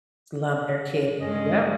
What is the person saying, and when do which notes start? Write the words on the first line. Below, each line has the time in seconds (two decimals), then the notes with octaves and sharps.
Love their kid. Yep.
1.21 G2 G#3 C#4 D#5